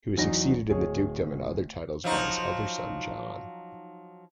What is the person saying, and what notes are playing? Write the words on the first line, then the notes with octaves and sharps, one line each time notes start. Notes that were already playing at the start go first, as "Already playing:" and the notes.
He was succeeded in the dukedom and other titles by his elder son John.
E2 F#3 D#4 A#6
D1 G#4 C#5
F3 F#3 D#4